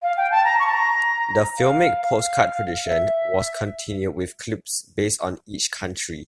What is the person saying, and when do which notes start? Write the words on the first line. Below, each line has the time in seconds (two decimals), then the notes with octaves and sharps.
The filmic postcard tradition was continued with clips based on each country.
0.02 F5
0.17 G5
0.31 A5
0.44 A#5
0.59 C#6
0.67 A5
0.73 A#5
1.58 F5
2.00 F5
2.85 E5